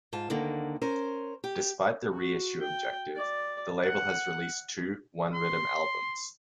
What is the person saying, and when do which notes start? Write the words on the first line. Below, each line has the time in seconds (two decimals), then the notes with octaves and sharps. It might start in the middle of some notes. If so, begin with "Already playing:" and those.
Despite the reissue objective, the label has released two one-riddim albums.
0.13 G#2 F4 A5
0.30 D2 D3 D#3 A#3
0.81 C#4 A#4 C5
1.44 G4
2.11 F#4
2.61 G5
3.16 D5
3.84 F#5
5.34 C6